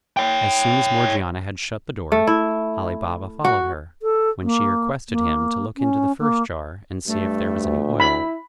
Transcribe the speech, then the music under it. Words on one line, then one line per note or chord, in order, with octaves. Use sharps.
As soon as Morgiana had shut the door, Ali Baba followed her, when she requested him to look into the first jar, and see if there was any oil.
C#5 G5
A3
E4
F#4
A4
A#3
A#3
C#4
A#3
G2 A3
D2
E4 B5